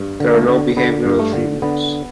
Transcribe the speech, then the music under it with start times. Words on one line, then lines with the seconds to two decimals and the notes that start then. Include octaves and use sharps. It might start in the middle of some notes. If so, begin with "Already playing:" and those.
There are no behavioral treatments.
Already playing: G2
0.20 D3
0.34 A3
0.48 D3
0.77 D3 B3
1.06 G2
1.19 A3
1.34 D3
1.62 D3 B3